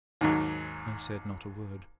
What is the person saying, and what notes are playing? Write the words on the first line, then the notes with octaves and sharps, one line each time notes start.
I said not a word.
D#2 G#2 D#3 F#3